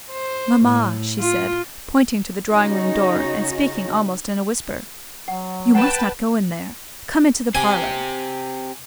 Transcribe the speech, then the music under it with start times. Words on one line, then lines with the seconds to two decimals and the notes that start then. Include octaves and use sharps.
"Mamma," she said, pointing to the drawing-room door, and speaking almost in a whisper, "you must not go in there; come into the parlour."
0.11 C5
0.63 A2
1.19 F4
2.51 C#3 C#4 D#4 F#4
5.28 F#3 F#5
5.75 B4 F#5 G5 A5
7.55 C4 G4 G#5